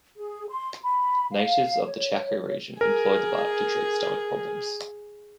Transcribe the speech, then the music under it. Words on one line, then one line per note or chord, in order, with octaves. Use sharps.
Natives of the Chaco region employ the bark to treat stomach problems.
G#4
C6
B5
F5
C#5
G#4 A#4